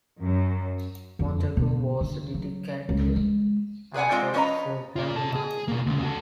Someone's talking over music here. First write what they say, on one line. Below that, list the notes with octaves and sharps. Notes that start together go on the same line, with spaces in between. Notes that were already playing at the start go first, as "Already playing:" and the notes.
Montagu was a dedicatee, as was Sir Henry Marten.
F#2
F2
B2
D3
F#3
C#2
G#3
G#4 B4 D5 F#5 G#5
G#3 C4 F4 D5 G5
F3 G3 C#4 B4 D#5 A#5
F4 D5
C3 A5
G#4
B2 A#3
D2 C#3
F#4 A4